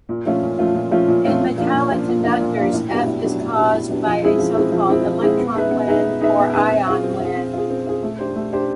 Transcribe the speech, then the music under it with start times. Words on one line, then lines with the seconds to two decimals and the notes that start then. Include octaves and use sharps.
In metallic conductors "F" is caused by a so-called "electron wind" or "Ion wind".
0.09 A#2
0.26 F3 A3 C#4 F4
0.42 A#2
0.59 F3 A3 C#4 F4
0.75 A#2
0.91 F3 A3 C#4 F4
1.08 A#2
1.25 F3 A3 C#4 F4
1.41 A#2
1.58 F3 A#3 D4 F4
1.74 A#2
1.91 F3 A#3 D4 F4
2.08 A#2
2.24 F3 A#3 D4 F4
2.40 A#2
2.57 F3 A#3 D4 F4
2.73 A2
2.90 F#3 B3 D4 G4
3.06 A2
3.23 F#3 B3 D4 G4
3.40 A2
3.56 F#3 B3 D4 G4
3.72 A2
3.89 F#3 B3 D4 G4
4.06 F3
4.23 G#3 C4 E4 G#4
4.39 F3
4.56 G#3 C4 E4 G#4
4.72 F3
4.88 G#3 C4 E4 G#4
5.05 F3
5.21 G#3 C4 E4 G#4
5.38 B3
5.55 D#4 G#4 B4 E5
5.71 B3
5.88 D#4 G#4 B4 E5
6.04 B3
6.21 D#4 G#4 B4 E5
6.38 B3
6.53 D#4 G#4 B4 E5
6.70 C4
6.88 F4 G#4
7.03 C4
7.20 F4 G#4
7.36 C4
7.53 F4 G#4
7.70 C4
7.87 F4 G#4
8.03 A3
8.19 D4 G4 C5
8.35 A3
8.53 D4 G4 C5